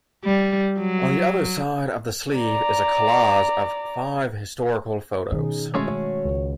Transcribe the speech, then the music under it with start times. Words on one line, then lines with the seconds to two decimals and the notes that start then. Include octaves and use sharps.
On the other side of the sleeve is a collage of five historical photos.
0.24 G3
0.79 F#3
2.36 D5 A#5
5.32 B2 D#3 C#4 D#4 G#4
5.74 G#3 A3 C#4 F#4 C#5
6.25 C#2